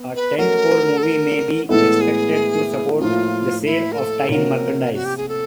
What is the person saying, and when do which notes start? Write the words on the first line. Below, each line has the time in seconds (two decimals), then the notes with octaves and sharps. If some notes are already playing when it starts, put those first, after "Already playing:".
A tent-pole movie may be expected to support the sale of tie-in merchandise.
Already playing: B3
0.16 B4
0.38 A3 C#4 F#4 A#4
0.98 A4
1.03 A#4
1.69 A2 E3 G#3 B3 E4 A4
2.01 G#4
2.99 A2 F3 A#3 F4
3.65 E4
3.92 A#4
3.98 A4
4.30 C3 F3 A#3 C#4 F#4 A#4
4.94 F#4
5.05 G4
5.17 G#4
5.29 A4